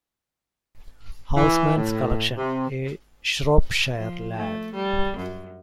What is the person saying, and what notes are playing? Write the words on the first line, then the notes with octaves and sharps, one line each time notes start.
Housman's collection "A Shropshire Lad".
E3
A2
C3
F3
A3
G3
F#2